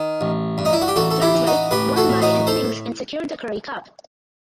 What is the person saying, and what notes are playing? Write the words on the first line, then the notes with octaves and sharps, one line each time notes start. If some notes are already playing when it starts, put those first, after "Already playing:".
Transvaal won by an innings and secured the Currie Cup.
Already playing: D#3
A1
G2
D#4
E4
F#4
G4
A1 F#4 A4
A4
E4 G4
E3
D#4 F#4
A1 G4 B4
F#4 A4
A2
D#4 F#4
A4 C5